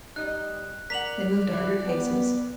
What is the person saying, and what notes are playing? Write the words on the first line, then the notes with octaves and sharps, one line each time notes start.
They moved a hundred paces.
G3 D#4 D#5 F#6
A#4 D5 F#5 B6 F7 F#7
D3 E3 E4
B3 G5 G#5